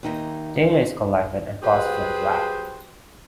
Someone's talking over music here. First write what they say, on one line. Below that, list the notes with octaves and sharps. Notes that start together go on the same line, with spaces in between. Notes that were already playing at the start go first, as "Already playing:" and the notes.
Data is collected and processed in the lab.
D#2 D#4 E5
F#3 G4 G#4 B4 C5